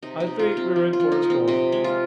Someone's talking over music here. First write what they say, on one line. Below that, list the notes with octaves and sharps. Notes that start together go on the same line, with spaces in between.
"I think we're in for a storm."
C3 D#4
D#4
C3
F4
C3
C4
F3
F4
F3
D#4
F3
C4
C3 D#5
G#3
F4